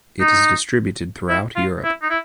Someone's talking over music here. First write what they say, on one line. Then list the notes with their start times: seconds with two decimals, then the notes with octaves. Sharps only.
It is distributed throughout Europe.
0.20 D#4
1.29 E4
1.56 F4
1.84 E4
2.02 D#4
2.10 E4